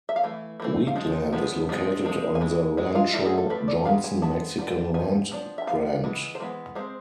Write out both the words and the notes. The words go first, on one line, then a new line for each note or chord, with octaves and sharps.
Wheatland is located on the Rancho Johnson Mexican land grant.
E5
F5
E3 A3
E3 A3 C4
F5
F3 G#3
F3 G#3 B3
F3 G#3 C4
F3 G#3 C4
G#5
E3 G#3
E3 G#3
F4
F3 A3 D4 E4
G#4
A4
F3 A3 D4 B4
D5
G#3 B3 D4 F5
G#5
G#3 B3 A5
F3 B3 D4
F3 B3 D4 G#5
F3 B3 D4
E5
F3 B3 D4 F5
E3 G#3 B3
C5
E3 G#3 B3
G#3 C4 C5